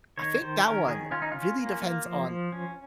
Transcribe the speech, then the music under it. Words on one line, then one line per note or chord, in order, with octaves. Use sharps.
I think that one really depends on
D#3 C#5
D#3 C5
C#4 A#4
D#3 G#4
C#4 F4
D#4
C#4 F4
A#3
A#3
F3
F3
C#4